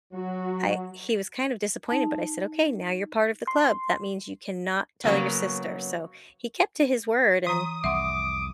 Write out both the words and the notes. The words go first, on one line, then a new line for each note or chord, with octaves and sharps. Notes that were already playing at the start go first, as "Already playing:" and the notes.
I he was, kind of disappointed, but I said, "Okay, now you're part of the club. That means you cannot tell your sister," so he kept to his word, and,
F#3 F#4
D#4 A5
C6
C#3 F#3 A#3 B3
E3 A#5 D#6
C2 F2 E5 F#5 C6 D6